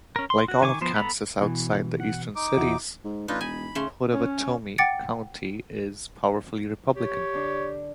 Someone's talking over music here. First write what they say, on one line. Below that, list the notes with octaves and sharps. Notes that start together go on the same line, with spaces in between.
Like all of Kansas outside the eastern cities, Pottawatomie County is powerfully Republican.
C#4 A#4
C6
F#4
D#3 G#5 C#6 D6
F3 B3 C5
B3 A4 A#5 B5
B2 E3
F#5
D#4 D6
E2 E4 F#4
G#2
A1 D4 D#4 F4 B4
E1 G#5 B5
C#3 A3 C#4 C6
C#4
F#5 G5 D6 A6 C#7 D7
G4 C#5
D3 D4 D5